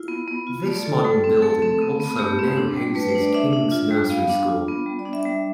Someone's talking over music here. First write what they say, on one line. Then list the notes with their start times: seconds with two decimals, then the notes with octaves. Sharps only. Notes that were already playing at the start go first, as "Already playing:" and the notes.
This modern building also now houses King's Nursery School.
Already playing: E4 F4
0.08 B3
0.28 B3
0.47 F4
0.66 A3 D5
0.85 A3 A4
1.04 G3 A4
1.24 C4
1.42 A3 A4
1.62 C4
1.81 B3
2.00 B3
2.19 A3 G4
2.39 C4
2.57 D4
2.77 G3
2.95 A3 B4
3.09 C5
3.15 D4
3.22 D5
3.34 D4 E5
3.53 D4
3.72 F4
3.91 G3
4.10 B3 F5
4.29 D4
4.48 F4
4.68 B3
4.86 G3
4.99 D5
5.05 D4
5.13 E5
5.25 G3